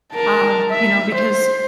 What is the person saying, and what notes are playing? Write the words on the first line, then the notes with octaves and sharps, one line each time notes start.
um, you know, because,
A#4 A5
E5
C5